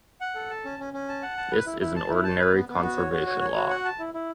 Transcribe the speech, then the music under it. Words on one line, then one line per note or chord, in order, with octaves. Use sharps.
This is an ordinary conservation law.
F#5
A4
A5
C#4
C#4
C#4
A5
F#5
A5
B4
E4
E4
A5
E4
A5
B4
B3
B3
F#4
C#5
F#4
C#5
C#5
F#4
F#5
A5
E4
E4